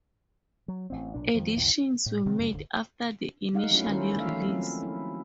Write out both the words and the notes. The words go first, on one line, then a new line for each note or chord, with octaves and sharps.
Additions were made after the initial release.
F#3
A1 C4
B1 A#2 D4
F2 D#3 F3
B1 E2 A2
A2
C3 D#3 F#3 C4
F#2 C#3 G3 G#3
D1 G1 D3
G3 G#3 D#4 F5 F#5
F#3 A3 C#4 E4 F#4
D#3 C#4 D#4 E4 A#4 C5
A3 A#3 E5 F5
F3 F#3 C4 C#4 E4
E4